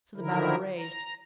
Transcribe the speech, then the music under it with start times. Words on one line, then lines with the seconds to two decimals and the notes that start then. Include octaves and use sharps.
So the battle raged.
0.16 D3 D#3 F3 F#3 E4 A#4
0.77 A#5